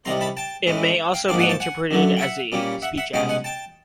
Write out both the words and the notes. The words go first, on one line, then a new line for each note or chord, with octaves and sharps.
It may also be interpreted as a speech act.
C2 C3 D#3 G3 A#5 C6
A5 B5
G5 A5
A2 E3 G#3 C#4
F5 G5
G#2 F3 A#3 D4 F5 G5
F#5 G#5
G5 A5
F#5 G#5
F#2 D3 F#3 A3
G5
E5 F#5
A#2 G3 A#3 C#4
E5 F#5
E5 F#5
C2 B2 G#3 C#4 F5 G5
F#5 G#5
G5 A5